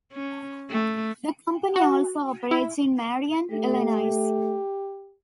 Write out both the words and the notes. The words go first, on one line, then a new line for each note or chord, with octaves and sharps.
The company also operates in Marion, Illinois.
C#4
A3
F#4
E4
A3 G4